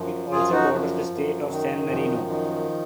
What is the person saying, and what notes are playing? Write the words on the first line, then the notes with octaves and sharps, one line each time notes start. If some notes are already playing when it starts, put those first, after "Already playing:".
It also borders the state of San Marino.
Already playing: F#2 F3
F#2 F4 G#4
D#4 F#4
F3
F#2
D#3
F#2 F3
D#3